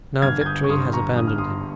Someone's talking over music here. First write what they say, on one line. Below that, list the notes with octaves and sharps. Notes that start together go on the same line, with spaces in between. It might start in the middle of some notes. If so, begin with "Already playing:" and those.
Now victory has abandoned him.
G1 F6 G#6
G#6
D#6 G6
C#6
G2 C6 D#6
A#5 C#6
G1 D#6
F6
C6 D#6